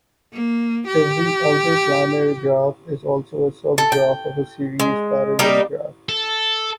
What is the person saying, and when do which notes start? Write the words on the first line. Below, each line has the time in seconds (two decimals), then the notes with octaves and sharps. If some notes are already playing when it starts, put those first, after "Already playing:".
Every outerplanar graph is also a subgraph of a series-parallel graph.
0.33 A#3
0.87 G4
3.78 A4
3.92 G5
4.79 G#3
5.39 G3 A#3 D#4 G4
6.09 A4